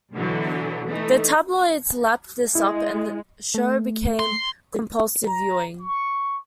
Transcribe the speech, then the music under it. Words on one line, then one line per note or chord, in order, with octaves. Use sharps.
The tabloids lapped this up and the show became compulsive viewing.
B2 D3 E3 F#3
E3 A3 D#4
G#3 E4
A3
C6
A#5
C#6